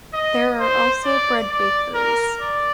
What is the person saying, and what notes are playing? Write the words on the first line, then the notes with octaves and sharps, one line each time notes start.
There are also bread bakeries.
D#5
C5
D5
D5
A#4
D5